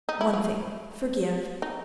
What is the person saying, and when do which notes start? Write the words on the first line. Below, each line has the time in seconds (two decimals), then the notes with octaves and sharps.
One thing: forgive...
0.09 D#4
0.21 E4
0.33 F4
1.62 D#4